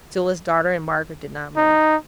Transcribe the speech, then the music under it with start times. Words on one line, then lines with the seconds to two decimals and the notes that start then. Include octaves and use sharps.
Still his daughter and Margaret did not move.
1.56 D#4